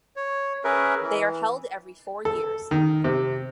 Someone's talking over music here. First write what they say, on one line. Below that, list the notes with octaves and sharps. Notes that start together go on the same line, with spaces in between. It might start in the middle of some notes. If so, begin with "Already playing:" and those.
They are held every four years.
C#5
C#4 G#4 A#4 B4 E5
E3
A4
D#3
C3